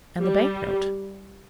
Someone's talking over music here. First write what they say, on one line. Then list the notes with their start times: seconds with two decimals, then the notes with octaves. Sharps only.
"And the bank-note?"
0.20 G3